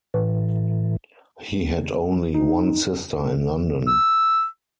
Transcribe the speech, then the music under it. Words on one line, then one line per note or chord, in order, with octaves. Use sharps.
He had only one sister in London.
A2 E3
D#4
E6